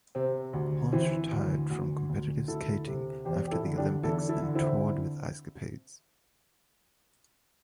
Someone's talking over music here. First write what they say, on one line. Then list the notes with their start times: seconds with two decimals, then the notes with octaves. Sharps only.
Holmes retired from competitive skating after the Olympics and toured with Ice Capades.
0.15 C3 C4
0.53 D2
0.92 E3 C4 E4
1.31 D2
1.70 D2
2.09 D2
2.48 D2 E4 A4
2.87 C3
3.25 E2 G4 C5
3.47 G4
3.51 E4 A4
3.65 D3
3.77 D4 G4
4.03 E2 E4 A4
4.29 E4 A4
4.42 D3
4.55 C4 E4